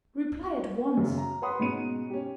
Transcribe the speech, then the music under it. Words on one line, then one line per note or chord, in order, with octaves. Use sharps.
Reply at once.
F#2 C#3
A#5
B4 C#5 F#5 B5 C6 D#6
G#2 B2 C#4 C#7 D#7
C#4 G4